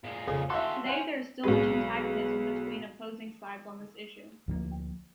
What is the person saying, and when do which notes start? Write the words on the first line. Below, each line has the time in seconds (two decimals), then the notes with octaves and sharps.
Today, there is still much antagonism between opposing sides on this issue.
0.04 A#2 G#3
0.28 F2 C#3 G#4
0.50 E4 F#4 G4 A4 E5 F5 C6
0.86 C#4 C5 F#5 G#5
1.44 B1 F#3 G#3 B4
4.48 D2 F3 G3 A#3